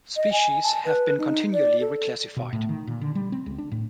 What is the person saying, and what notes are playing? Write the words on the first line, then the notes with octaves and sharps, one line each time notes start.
Species have been continually reclassified.
D#5
G#5
A5
B4
D#4
D5
A4
B2
A2
D#3
A#2
D3
G3
C4
C#2
D4
A2